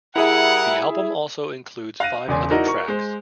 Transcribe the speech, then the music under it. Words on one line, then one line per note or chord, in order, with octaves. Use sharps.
The album also includes five other tracks.
G3 E4 G#4 A#4 E5 F#5
F5 F#6 A#6 D#7
E1 C#3 D5 G#5 C6
D#4 E4 F#4 A#4 D5 D#5
A#4 C#6
G#3 C5